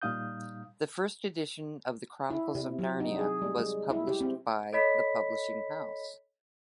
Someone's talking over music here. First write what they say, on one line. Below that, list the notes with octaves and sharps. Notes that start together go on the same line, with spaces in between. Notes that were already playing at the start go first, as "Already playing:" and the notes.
The first edition of The Chronicles of Narnia was published by the publishing house.
A#2 G3 D#4 F5 D#6 G6
E4
C3
F#3
D#4
G#4
G3
G#3
E4
G4
C4
A4 C#5 D#5 B5 B6